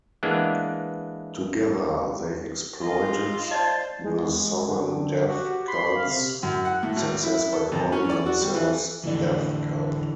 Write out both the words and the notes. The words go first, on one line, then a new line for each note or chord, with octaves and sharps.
Together, they exploited the Southern Death Cult's success by calling themselves Death Cult.
E3 G#3 A#3 B3 D4
F4 D#5
C5 D5 D#5 A5 A6
G#3
D3 C4
F#4 G4
B5 C6
F5
C3
F#2
F#5
A2
G#1
E4
A4
F2
C#4
D5
F#4
G3
E3
F1 A2 D3 E3 D5